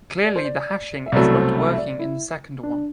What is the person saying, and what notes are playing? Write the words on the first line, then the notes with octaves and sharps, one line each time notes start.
Clearly the hashing is not working in the second one.
D5
C5
D5
E5
C2 B2 F#3 A3 D5
C5
E5
E5
D5
E4
D4